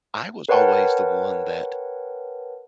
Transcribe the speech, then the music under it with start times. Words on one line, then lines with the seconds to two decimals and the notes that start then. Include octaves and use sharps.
I was always the one that
0.49 A#4 B4 C#5 F#5 G5 A5